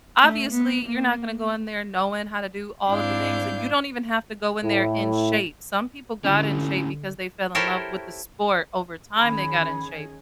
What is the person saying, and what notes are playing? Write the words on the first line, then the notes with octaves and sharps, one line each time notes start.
obviously, you're not gonna go in there knowing how to do all of the things, and you don't even have to go in there in shape. Some people got in shape because they fell in love with the sport. Over time, they got in shape.
A3
B3
A#3
G#2 C4 D4 E4 F5 G6
A2 E4
D3 C#4 E4 G4
E4 G4 A4 A#4 C5 C#5
D#3 C#4 G#4 B5